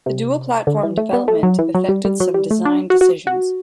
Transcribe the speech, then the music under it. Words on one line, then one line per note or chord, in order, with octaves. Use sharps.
The dual platform development affected some design decisions.
C3
D3
E3
A3
B3
A3
F#3
E3
F#3
G3
G3
F#3
G3
A3
D4
F#4
F#4
F#4